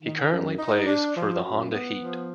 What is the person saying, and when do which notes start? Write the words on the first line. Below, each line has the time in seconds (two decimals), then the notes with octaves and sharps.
He currently plays for the Honda Heat.
0.02 D#3
0.31 F#2
0.58 D#4
0.86 D4
1.15 F3
1.43 F#2
1.71 B3
1.99 F3